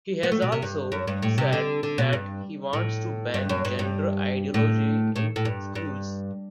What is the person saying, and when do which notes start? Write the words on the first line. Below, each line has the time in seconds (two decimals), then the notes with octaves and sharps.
He has also said that he wants to ban "gender ideology in schools".
0.23 B3
0.32 A3
0.42 B2
0.52 C3
0.62 G2
0.92 F#2
1.07 G2
1.22 A2
1.38 C3
1.53 D3
1.83 D3
1.98 B2
2.13 G2
2.73 A2
3.34 G2
3.49 F#2
3.65 G2
3.79 G2
4.54 A2
5.16 A2
5.36 A2
5.45 G2
5.75 G2